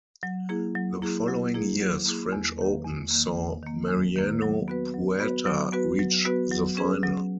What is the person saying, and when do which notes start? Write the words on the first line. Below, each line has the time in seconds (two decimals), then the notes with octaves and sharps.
The following year's French Open saw Mariano Puerta reach the final.
0.23 F#3
0.49 A#3 E4 G#4
0.75 F#3
1.02 A#3 E4 G#4
1.28 F#3
1.54 A#3 E4 G#4
1.80 F#3
2.06 A#3 E4 G#4
2.32 E2
2.58 D#3 A#3
2.84 E2
3.11 D#3 A#3
3.37 E2
3.63 D#3 A#3
3.89 E2
4.16 D#3 A#3
4.42 F#3
4.68 B3 F#4 B4
4.94 F#3
5.20 B3 F#4 B4
5.46 F#3
5.72 B3 F#4 B4
5.99 F#3
6.25 B3 F#4 B4
6.51 F#3
6.77 C#4 G#4 B4
7.03 F#3